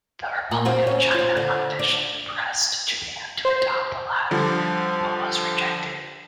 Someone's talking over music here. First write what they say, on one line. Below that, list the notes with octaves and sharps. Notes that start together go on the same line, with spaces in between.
The Republic of China unofficially pressed Japan to adopt the latter but was rejected.
A#2
C4 F4 F#4
C#4
C4 F4
D3
D4
C5
D3 F3 G3